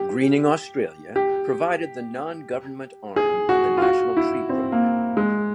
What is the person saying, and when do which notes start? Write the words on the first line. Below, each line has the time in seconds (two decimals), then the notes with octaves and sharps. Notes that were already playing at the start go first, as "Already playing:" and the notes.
Greening Australia provided the non-government arm of the National Tree Program.
Already playing: G4
1.16 G4
3.16 G#4
3.49 F#4
3.77 F4
3.82 F#4
4.17 E4
4.49 C4
4.72 A#3
5.17 G#3